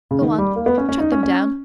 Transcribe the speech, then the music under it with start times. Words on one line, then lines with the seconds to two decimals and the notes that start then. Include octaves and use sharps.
Go on! Chuck them down!
0.11 C#3
0.21 D#3
0.38 G3
0.56 A#3
0.66 B3
0.78 C#4
0.89 C#4
1.00 D#4
1.12 C#4
1.23 C#4